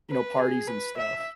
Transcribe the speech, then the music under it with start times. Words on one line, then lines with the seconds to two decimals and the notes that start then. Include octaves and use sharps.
you know, parties and stuff.
0.10 B4
0.39 G#4
0.68 B4
0.97 E5